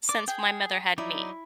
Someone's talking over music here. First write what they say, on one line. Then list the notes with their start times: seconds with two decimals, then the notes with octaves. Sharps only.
since my mother had me,
0.09 D5 D6
0.28 G#4 G5
0.98 F#3 D#4 E4 D5